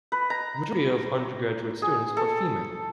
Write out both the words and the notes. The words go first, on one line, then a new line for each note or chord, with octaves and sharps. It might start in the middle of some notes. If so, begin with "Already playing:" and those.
The majority of undergraduate students are female.
B4
A#5
G#4
A4